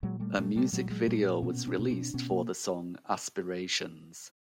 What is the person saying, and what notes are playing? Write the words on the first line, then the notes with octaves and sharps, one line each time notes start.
A music video was released for the song "Aspirations".
A#2 F#3 G#3
G3 A3
A#2 G3 A3
G3 A3
A#2 F#3 G#3
G3
F#3 G#3
A#2 G3 A3
B2 B3 C#4
C4 D4
B2
C4 D4
B2 B3 C#4
A#3